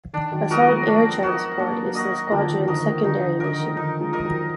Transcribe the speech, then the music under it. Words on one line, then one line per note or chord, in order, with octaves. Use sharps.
Assault air transport is the squadron's secondary mission.
D#3 D4
D#3 F#3
F3 G#3 F#4 A#4 D#5
G#3 B3
D4
F#4 A#4 D#5
F#3 A#3 D4
F#3 A#3
F#4 A#4 D#5
D3 F3 D4
D#3
D3 F#4 A#4 D#5
D#3
D3 F3 D#4
D3
D3 A#4 D#5
D#3
D3 F3 D#4
F3 G#3
G#3 A#4 D#5
D#3 F#3